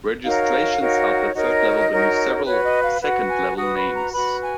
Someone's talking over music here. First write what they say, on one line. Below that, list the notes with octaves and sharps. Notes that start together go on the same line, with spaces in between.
Registrations are at the third level beneath several second level names.
D#4 F#4 A#4 C#5 F5
D#4 F#4 A#4 C#5
D#4 F#4 A#4 C#5 D#5
D#4 F#4 A#4 C#5
F#4 B4 C#5
D#5
F5
F#4 B4 F#5
G#5
F#4 B4 D#6
B5
A#5
F#4 B4 B5
G#5